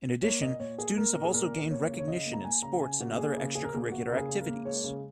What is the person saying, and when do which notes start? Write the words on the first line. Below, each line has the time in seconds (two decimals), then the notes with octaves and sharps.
In addition, students have also gained recognition in sports and other extracurricular activities.
0.23 A#3 C#5
0.41 A#2 D#5
0.60 A#2 C#5
0.78 A#3 G#4
0.97 A#3 A#4
1.16 A#2
1.25 G#4
1.34 A#2 A#4
1.52 A#3
1.71 A#3 C#5
1.89 C#3
1.98 C#5
2.07 C#3 D#5
2.26 A#3
2.33 A#5
2.44 A#3 G#5
2.63 C#3 A#5
2.81 C#3 G#5
3.00 A#3 F#4
3.18 A#3 G#4
3.37 C#3
3.55 C#3 G#4
3.64 A#4
3.74 A#3 G#4
3.92 A#3 F#4
4.08 C#3 A#4
4.17 G#4
4.29 C#3
4.41 A#4
4.47 A#3
4.65 G#3 C#5
4.84 C#3